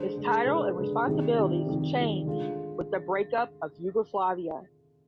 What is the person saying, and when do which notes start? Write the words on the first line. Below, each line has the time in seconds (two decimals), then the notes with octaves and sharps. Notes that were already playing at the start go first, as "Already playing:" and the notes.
His title and responsibilities changed with the breakup of Yugoslavia.
Already playing: D3 G#3 C5
0.16 D3 G#3
0.46 D3 G#3 B4
0.76 D3 G#3
1.07 C3 D#3 G3 G#4
1.36 C3 D#3 G3
1.67 C3 D#3 G3
1.97 C3 D#3 G3
2.26 D3 G#3 F4